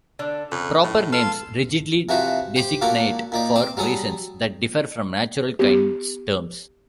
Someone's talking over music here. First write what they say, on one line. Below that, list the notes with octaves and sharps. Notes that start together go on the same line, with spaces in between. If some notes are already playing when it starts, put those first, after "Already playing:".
Proper names rigidly designate for reasons that differ from natural kinds terms.
D3 D4
F2 C#3
A2
F4 A4
C3 E3 F3 F#4 B4 C5
G4 C5 G5
A#2 A#3 F#4 A4 D6
A#2 D#4 D5
C4 C5 D6
F#3 G3 G#4 A4 D#6
B3 G4